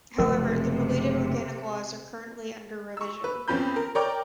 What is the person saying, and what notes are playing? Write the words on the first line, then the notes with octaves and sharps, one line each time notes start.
However, the related organic laws are currently under revision.
F#1 C3 F3 A3 A#4
C#6 E6
B4
F2 B3 C#4 F4 B5 G6
A#4
A#4 C#5 D5 G5 A#5 D6